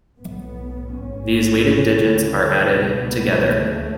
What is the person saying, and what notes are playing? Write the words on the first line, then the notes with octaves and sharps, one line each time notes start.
These weighted digits are added together.
B1 A2 B3
A1 G#2 C#4
D2 C#3
C#2 B2 B3
D2 C#3 A3